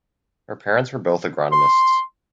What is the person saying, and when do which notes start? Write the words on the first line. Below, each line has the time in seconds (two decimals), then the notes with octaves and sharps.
Her parents were both agronomists.
1.52 C6